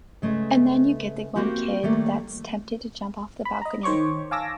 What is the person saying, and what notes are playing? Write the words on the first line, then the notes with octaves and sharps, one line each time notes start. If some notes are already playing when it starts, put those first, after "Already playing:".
And then you get the one kid that's tempted to jump off the balcony.
C#3 G#3 A3 B4 E5
A#3 C4 F#4 G4
D#3 G3 A3 A#3
B5
D#5 A#5
D#3 C5 C#5 C#6 D6
F5 G#5 A5 D6 E6 A#6